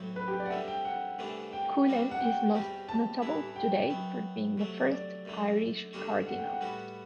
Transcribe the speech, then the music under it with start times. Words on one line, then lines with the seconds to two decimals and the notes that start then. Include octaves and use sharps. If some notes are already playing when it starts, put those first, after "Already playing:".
Cullen is most notable today for being the first Irish cardinal.
Already playing: B1 A2 F#3 C4
0.16 B4
0.28 G4
0.40 D5
0.46 F#5
0.50 D2 D3 G3 C4 E5
0.68 G5
0.85 F#5
1.19 C2 C3 E3 A3 D4
1.53 G5
1.86 C2 B2 G3 D4 F#4
2.11 F#5
2.20 G5
2.54 E2 B2 G3 C4 G4
2.89 A5
3.22 A1 G2 E3 B3 E4
3.56 G5
3.90 F#2 F#3 B3
4.58 C3 F#3 A3
4.91 D5
5.25 F#2 D3 A3
5.93 D2 D3 G3 D4 F#4
6.27 F#5
6.39 G5
6.49 F#5
6.61 A2 G3 B3 F#4